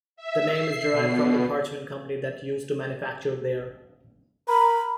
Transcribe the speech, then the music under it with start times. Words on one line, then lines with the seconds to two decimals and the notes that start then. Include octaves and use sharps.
The name is derived from the parchment company that used to manufacture there.
0.16 E5
0.51 C7
0.91 B2
4.48 A#4 B5